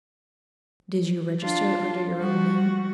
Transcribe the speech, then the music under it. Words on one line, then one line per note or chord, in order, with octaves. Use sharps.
"Did you register under your own name?"
D4 F4
G3 F#4